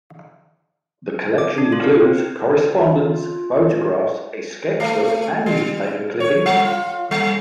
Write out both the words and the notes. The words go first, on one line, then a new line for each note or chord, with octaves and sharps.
The collection includes correspondence, photographs, a sketchbook, and newspaper clippings.
D6
D4
F4
A#4
C4
F4
A3
G3
C#5
G3
F4
G3